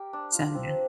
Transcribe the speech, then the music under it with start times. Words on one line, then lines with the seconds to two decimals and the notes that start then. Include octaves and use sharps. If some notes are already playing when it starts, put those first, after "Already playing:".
so yeah.
Already playing: G4 A#4
0.13 D4
0.35 F4
0.55 C4